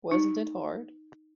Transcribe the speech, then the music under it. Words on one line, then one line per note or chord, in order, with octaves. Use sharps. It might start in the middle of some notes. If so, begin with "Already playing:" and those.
Wasn't it hard?
D#4